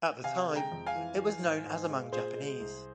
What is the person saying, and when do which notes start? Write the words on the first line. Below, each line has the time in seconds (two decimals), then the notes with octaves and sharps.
At the time, it was known as among Japanese.
0.24 C3 F5 G#5
0.48 G#3
0.56 G5 A#5
0.72 F2
0.86 F5 G#5
0.95 E3
1.19 E3
1.42 G#2
1.65 G#2
1.89 G#3
2.12 A#2 G#4 C5
2.36 G#3
2.59 C2